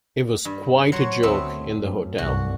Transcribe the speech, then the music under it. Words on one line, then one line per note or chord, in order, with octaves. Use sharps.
It was quite a joke in the hotel.
G2
F#3 C5 C#5
D2 A3 B3 C4
F#2
C2 G2 F#4